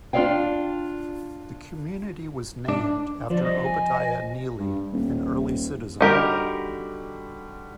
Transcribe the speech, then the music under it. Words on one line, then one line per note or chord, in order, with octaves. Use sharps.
The community was named after Obadiah Neely, an early citizen.
D4 F4 G#4 D5 F5 G5
D4
D3 F3 C5 D5
G3 C4 D#5
G#5
G2
D#1
D3 G3 D#4 F#4 G4 A#4